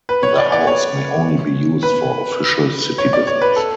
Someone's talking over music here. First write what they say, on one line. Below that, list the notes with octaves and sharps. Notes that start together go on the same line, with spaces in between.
The house may only be used for official city business.
B4
C#5
D5
D5
C#5
B4
C#5
D5
C#5
B4
A4